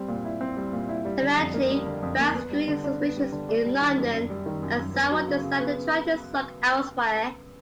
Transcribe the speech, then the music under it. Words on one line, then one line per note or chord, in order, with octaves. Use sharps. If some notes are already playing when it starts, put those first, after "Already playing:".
Eventually banks grew suspicious in London and Saward decided to try his luck elsewhere.
Already playing: G3 C4
A#2
E4
C4
G3
A#2
E4
G3
D3
F2
A#3
G3
D3
F2
A#3
B3
G3
D3
D4
B3
G3
D3
D4
G3
D#3
F#2
F#2
G3
D#3
F#2
F#2
B3
F#3
C#3
C#3
B3